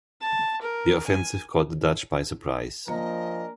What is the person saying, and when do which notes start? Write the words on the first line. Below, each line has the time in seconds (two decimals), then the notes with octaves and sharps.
The offensive caught the Dutch by surprise.
0.21 A5
0.62 A#4
1.07 G#5
2.88 F3 A#3 D4 A#4 D#5 G#5